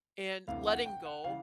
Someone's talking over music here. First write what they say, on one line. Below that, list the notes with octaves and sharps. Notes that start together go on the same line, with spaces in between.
and letting go
D2 C3 E3 F5
F#5
G5
F#5
C#3 E3 F5